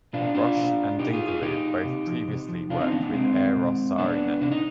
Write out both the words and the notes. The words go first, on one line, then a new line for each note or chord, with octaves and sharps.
Roche and Dinkeloo both previously worked with Eero Saarinen.
B2 D4 F4
D4 F4
B2
B2 D#4 G4
F4 G#4
F4 G#4
B2 D#4 G4
C3
F3
C3
F3
C3 D4 F4
C4 D#4
D#3 B3 D4
B3 D4
C3 G#3 C4
D#3
B2
B2 B3 D4
C3 D4
D#4